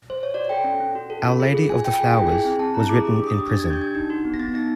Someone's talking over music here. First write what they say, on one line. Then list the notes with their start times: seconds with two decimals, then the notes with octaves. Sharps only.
"Our Lady of the Flowers" was written in prison.
0.10 C5
0.23 C#5
0.34 F#4 D5
0.49 A4 G5
0.64 C#4
0.80 C#4
0.95 F#4
1.10 A4
1.25 F4
1.40 G#4
1.55 C#4
1.70 C#4 G#5
1.84 F4 G5
1.99 G#4 G#5
2.13 E4 G5
2.27 G#4 G#5
2.45 C4 G#5
2.59 C4 A5
2.74 E4 A#5
2.89 G#4 D6
3.05 G4 D6
3.16 D6
3.20 D4
3.27 D#6
3.34 G4
3.49 D4 A6
3.60 G4 G#6
3.70 G6
3.79 D4 G#6
3.95 D#4
4.10 F#4
4.25 B3
4.34 A#6
4.39 B3 A6
4.54 D#4 A#6